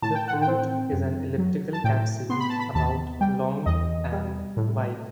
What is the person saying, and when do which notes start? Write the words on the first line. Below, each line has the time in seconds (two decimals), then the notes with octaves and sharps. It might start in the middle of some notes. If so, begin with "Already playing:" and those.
The fruit is an elliptical capsule about long and wide.
0.02 A2 A5
0.15 G5
0.28 F#5
0.41 G5
0.47 C4
0.92 F#2
1.38 F#3
1.73 A5
1.84 A2 G5
2.29 B3 C6
2.40 B5
2.50 A5
2.60 B5
2.75 D#2 A5
3.21 G3 G5
3.66 E2 D#5
4.12 G3
4.57 A2